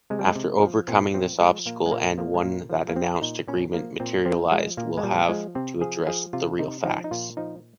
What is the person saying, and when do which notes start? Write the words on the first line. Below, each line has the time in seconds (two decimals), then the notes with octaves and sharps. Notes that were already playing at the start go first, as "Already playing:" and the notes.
After overcoming this obstacle and one the announced agreement materializes, will have to address the real facts.
0.10 C3 G#3
0.19 G3
0.28 G#3
0.35 C3
0.62 F3
0.88 A#2 C4
1.14 F3 C4
1.40 F3 G#3
1.66 A#2 A#3
1.86 G#3
1.92 A#2 A#3
2.18 F3 A#3
2.34 G#3
2.43 A#2 A#3
2.70 F3
2.88 A#3
2.96 F3 C4
3.22 A#2 D#4
3.48 A#2 C#4
3.74 F3 A#3
4.00 A#2 C4
4.25 F3 C4
4.51 F3 G#3
4.77 A#2 A#3
4.97 G#3
5.03 A#2 G3
5.29 F3 G#3
5.55 C3 C4
5.81 F3 G#4
6.07 F3 G#4
6.33 C3 F4
6.59 C3 D#4
6.85 F3 D#4
7.04 D#4
7.11 A#2 F4
7.37 F3 D#4